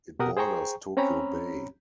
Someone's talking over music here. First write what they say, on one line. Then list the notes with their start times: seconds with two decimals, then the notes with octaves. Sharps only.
It borders Tokyo Bay.
0.19 B2 G4 A#4 F#5 D#6
0.37 G#4 C5 G5 A#5 C#6
0.97 C4 C#4 C#5 A#5 B5